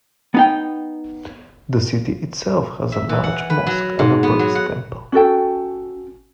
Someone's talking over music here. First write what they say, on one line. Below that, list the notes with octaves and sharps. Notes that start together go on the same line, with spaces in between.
The city itself has a large mosque and a Buddhist temple.
B3 D#4 G5
E5
E3
F#5
B4
F#3
G#2
B3
F#3
F#5
C#4 F#4 A4 G5